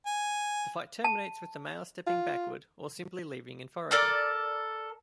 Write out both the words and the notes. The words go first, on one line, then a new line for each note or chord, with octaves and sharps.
The fight terminates with the males stepping backward, or simply leaving and foraging.
G#5
A5
F4
A4 A#4 D5